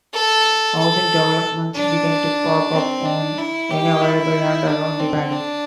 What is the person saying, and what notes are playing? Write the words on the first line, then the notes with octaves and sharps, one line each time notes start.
Housing developments began to pop up on any available land around the Valley.
A4
A4
D4
C4
D4
E4
G4
E4
D4
C4
D4